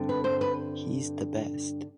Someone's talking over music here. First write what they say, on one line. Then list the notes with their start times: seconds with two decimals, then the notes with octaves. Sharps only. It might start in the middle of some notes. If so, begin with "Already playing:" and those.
He’s the best.
Already playing: G2 D3 C4
0.09 B4
0.24 C5
0.41 B4